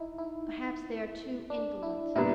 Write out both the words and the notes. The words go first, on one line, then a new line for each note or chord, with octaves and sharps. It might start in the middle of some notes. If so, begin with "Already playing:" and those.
Perhaps they are too indolent.
Already playing: D#4 E4
E4
D4
E4
A#2 G3 B3 D4 E4